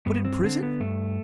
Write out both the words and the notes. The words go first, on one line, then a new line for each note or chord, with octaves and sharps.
"But in prison?"
G2 B3
C4
D3 C4
B3
G2 A3